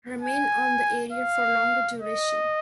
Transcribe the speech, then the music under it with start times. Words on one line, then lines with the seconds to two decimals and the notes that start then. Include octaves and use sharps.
Remain on the area for longer duration.
0.22 G#5
1.12 F5
2.02 D#5